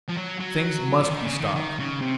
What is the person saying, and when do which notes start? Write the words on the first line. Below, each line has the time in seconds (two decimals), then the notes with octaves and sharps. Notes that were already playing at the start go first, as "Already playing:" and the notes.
Things must be stopped.
0.09 F3
0.17 F#3
0.40 F#3
1.02 F3
1.10 D#3
1.25 C#3
1.41 D#3
1.55 D#3
1.79 C#3
2.01 C3